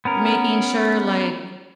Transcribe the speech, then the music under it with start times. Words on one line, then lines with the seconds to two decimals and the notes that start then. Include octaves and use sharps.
making sure, like,
0.05 B3 C#4 A#4